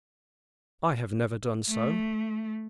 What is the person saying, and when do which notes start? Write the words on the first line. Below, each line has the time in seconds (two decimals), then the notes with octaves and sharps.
"I have never done so."
1.69 A3